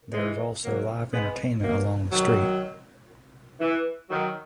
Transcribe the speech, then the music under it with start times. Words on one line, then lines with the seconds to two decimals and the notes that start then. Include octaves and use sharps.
There is also live entertainment along the street.
0.13 E3 G#3
0.63 F#3 A#3
1.13 G#3 B3
1.62 F#3 A#3
2.12 D#3 F#3
3.60 E3
4.09 D#3 F#3